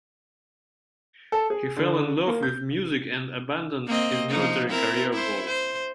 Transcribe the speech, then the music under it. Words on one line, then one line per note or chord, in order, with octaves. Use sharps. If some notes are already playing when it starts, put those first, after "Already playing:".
He fell in love with music and abandoned his military career goals.
A4
G#4
D3
A#3
G6
A#3 C4 D#5
F3 A#3 D#4
C4 E4 A#4
E4 C5
C5